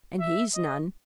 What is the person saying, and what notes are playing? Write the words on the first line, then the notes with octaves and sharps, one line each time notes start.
And he's none.
E5
D#5